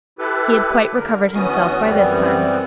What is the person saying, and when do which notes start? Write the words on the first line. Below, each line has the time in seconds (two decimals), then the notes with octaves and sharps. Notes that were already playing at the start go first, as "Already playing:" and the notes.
He had quite recovered himself by this time.
0.19 E4 G4 A4 B4
0.96 D3 A#4
1.35 D2 E3 B3 C#4 F#4 D#6
1.83 F#2 E3 G3 B3 C4